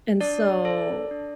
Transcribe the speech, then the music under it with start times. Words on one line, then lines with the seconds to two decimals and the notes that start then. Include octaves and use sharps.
and so
0.21 D4 D5
0.65 A4
1.11 D4